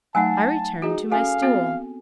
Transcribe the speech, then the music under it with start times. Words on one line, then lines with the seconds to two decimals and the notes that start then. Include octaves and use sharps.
I returned to my stool.
0.15 F#3 A3 D#4 F#5 G#5 A5
0.82 D#4 F#4 G#4
1.12 C#4 F#4 A4 F5 G#5
1.42 B3 C4 F#4